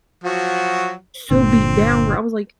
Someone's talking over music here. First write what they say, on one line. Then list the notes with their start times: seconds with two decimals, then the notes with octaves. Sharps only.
so beat down where I was like,
0.24 F3 F#3 F#4
1.31 G1 A#2 D3 C4